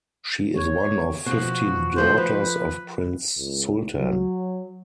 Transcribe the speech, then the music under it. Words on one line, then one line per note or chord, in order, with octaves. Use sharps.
She is one of fifteen daughters of Prince Sultan.
C#5
B2 F3 F#4
D2 F3 A3 C5
F3 B4
C#2
F#3